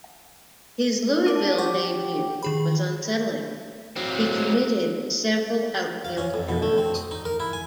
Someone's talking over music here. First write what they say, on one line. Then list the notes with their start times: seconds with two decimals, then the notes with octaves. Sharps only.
His Louisville debut was unsettling; he committed several outfield errors.
1.26 D4 A#4 D#7
1.58 G4 F#5 C#6 D6
2.43 D#3 G#4 B5
3.96 F#3 C4
6.05 F5
6.17 C#4
6.34 F2
6.49 B2
6.62 A3
6.78 C4
6.95 D#6
7.11 D#4
7.25 A#4
7.40 E4
7.53 G#5